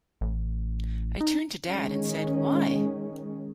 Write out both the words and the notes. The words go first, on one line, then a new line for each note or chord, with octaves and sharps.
I turned to Dad and said why?
A1
D#4
D#3 G#3 C#4